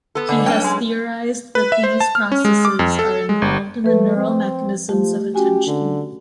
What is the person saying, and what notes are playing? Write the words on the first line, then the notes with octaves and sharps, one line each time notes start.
He has theorized that these processes are involved in the neural mechanisms of attention.
B3 A4
D3 D#5 G#5 B5
F#3 C#4 D4 C#5 G5
G#3
B4
E5
C5
A5
F6
C#4
G#3
D6
F2
A4
G#3
G1
F3 A3 B4
C4
F3 A3 G4
C#4 F#4 G4 G#5
D3